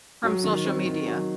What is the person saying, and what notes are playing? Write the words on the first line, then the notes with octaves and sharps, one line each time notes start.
From social media.
F#3
D#3
C4
D#3
F#3